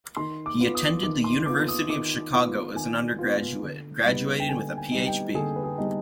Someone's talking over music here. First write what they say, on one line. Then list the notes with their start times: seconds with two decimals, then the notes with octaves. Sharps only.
He attended the University of Chicago as an undergraduate, graduating with a Ph.B.
0.17 D#3 C6
0.46 D6
0.61 B3 F4
0.75 D#6
1.03 D#3 D6
1.24 C6
1.46 B3 F4 D6
1.68 D#6
1.89 D#3 D6
2.33 B3 F4
2.76 D#3 G#5
3.19 B3 F4
3.62 D3
4.05 G3 B3 D#4
4.40 G5
4.48 D3 G#5
4.78 G#5
4.92 G3 B3 D#4
5.07 G5
5.35 D3 G#4
5.56 B4
5.63 G#4
5.78 G3 B3 D#4